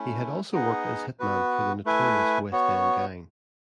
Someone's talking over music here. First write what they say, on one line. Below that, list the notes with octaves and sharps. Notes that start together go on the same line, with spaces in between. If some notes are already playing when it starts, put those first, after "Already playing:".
He had also worked as hitman for notorious West End Gang.
Already playing: A3 C#4 E4
B3 D#4 G#4 D#5 F#5
B3 F#4 B4
A3 E4 B4 E5 G#5
B3 F#4 C#5